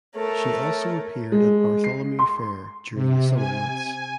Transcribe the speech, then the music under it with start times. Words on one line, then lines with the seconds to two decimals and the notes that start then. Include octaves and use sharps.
She also appeared at Bartholomew Fair during the summer months.
0.16 A3 A#4 C#5 A5
1.32 G#3
1.84 C7
2.19 C6
2.94 C3
3.36 G#5